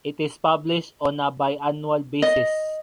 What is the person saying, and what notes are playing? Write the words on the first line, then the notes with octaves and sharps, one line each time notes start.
It is published on a biannual basis.
D#5